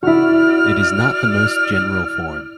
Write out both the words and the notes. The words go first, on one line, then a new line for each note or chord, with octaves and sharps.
It is not the most general form.
E4 F#4 D5 E6 F6